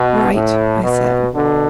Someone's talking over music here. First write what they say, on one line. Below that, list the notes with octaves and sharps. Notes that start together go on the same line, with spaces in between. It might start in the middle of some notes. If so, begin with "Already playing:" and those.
"Right," I said.
Already playing: B2
A2
B2
B2 D3